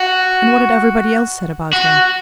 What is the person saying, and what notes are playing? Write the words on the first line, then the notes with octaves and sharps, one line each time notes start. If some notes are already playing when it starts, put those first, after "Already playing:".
And what had everybody else said about her?
Already playing: F#4
F#4